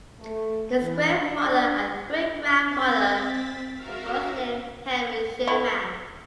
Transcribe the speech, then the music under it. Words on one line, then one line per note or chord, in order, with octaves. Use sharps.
His grandfather and great grandfather were both named Henry Sherman.
A3
E3
D4
C4 A6 B6
F#4 A#4 E5 F5
A3 E4